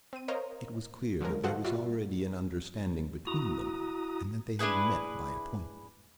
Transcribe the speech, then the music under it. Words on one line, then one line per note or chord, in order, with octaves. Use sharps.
It was clear that there was already an understanding between them and that they had met by appointment.
C4 D#7
A#4 C5 C#5 D#5 F5 A#5
D3 F3 F#3 G#3 A#4
F#4 A4 C5 D#5 F5 F#5
G3 F4 F#4 D5 E5
E4 F#4 A#5 D#6
D4 E4 G#4 B4